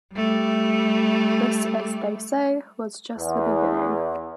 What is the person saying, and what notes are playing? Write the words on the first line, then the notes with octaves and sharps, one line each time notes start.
This as they say, was just the beginning.
G3 A3
E2